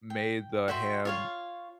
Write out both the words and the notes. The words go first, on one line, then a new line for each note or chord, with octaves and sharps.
made the ham
G5
F#4 E5 G5 C6
F4 C#5 F5